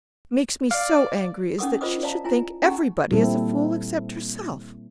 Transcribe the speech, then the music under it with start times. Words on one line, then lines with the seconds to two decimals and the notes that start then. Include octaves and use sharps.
What makes me so angry is that she should think everybody is a fool except herself.
0.71 D5 F5
1.59 C#4 D#4 A#4 F#5 D6 D#6
1.81 F4 A#4 C5 D#5 D6 D#6
2.03 D5 F5 A5 A#5
2.24 E4 F4 G#5 A#5
2.63 C#4 D#4 G4 G#4 F#5 A#5
3.11 A#2 G3 A#3 C4 E4 A4